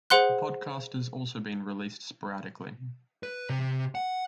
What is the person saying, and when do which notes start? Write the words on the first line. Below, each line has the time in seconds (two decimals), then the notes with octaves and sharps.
A podcast has also been released sporadically.
0.10 G#4 C5 F#5 C6 F#6
3.23 B4
3.50 C3
3.95 F#5